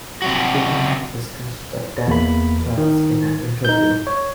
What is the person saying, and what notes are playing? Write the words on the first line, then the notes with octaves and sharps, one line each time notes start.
Wigand discussed the death threats in an interview.
C3 F#3 F#4
E2 A#3 B5
D#3
D#4 G6
C#5